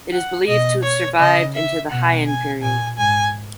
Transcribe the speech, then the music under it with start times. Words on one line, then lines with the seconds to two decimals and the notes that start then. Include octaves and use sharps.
It is believed to have survived into the Heian period.
0.12 F#5
0.47 B2 D#5
0.83 C#5
1.19 C#3 D#5
1.55 E5
1.90 B2 F#5
2.26 G#5
2.62 A#2 G#5
2.97 G#2 G#5